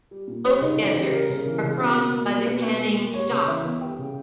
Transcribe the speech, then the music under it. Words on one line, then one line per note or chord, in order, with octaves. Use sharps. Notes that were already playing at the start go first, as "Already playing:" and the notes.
Both deserts are crossed by the Canning Stock Route.
G3
A#2
G3 C#4
C#3 D#4
E3 D#4
C#3 G4
G3 A#4
C#3
E3
C#3
B2
B2
A#3
A#3
B2 B4
B2
A#3
A#3
G3 C#5
C#3
E3 E5
B3
G3 G5
C#3